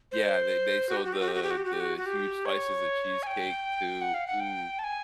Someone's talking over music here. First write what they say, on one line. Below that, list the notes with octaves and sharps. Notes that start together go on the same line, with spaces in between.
Yeah, they they sold the the huge slices of cheesecake, too ooh,
C5
F#4
G4
F#4
G4
F#4
G4
F#4
G4
F#4
G4
F#4
G4
F#4
F#4
G4
C#5
G#5
G5
F#5
F5
F#5
G5
A5
G#5